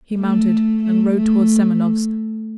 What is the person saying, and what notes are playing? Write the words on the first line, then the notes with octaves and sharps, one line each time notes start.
He mounted and rode toward Semenovsk.
A3
A3
A3